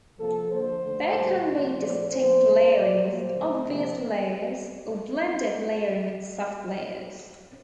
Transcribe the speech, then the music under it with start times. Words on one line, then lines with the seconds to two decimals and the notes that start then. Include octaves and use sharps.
There can be distinct layering with obvious layers, or blended layering with soft layers.
0.19 C3 F3 A#3 A4
0.50 D3 F3 A#3 C5
0.82 D3 A3
1.14 A#2 G3 A#3
1.45 C3 F3 A#3
1.77 A#2 F3 A3 D5
2.08 D3 F3 A3 C5
2.40 A2 G3 A#3
2.71 A#2 F3 A#3 D5
3.02 A#2 G3 A#3 C5
3.34 D3 A3
3.66 C3 F3 A#3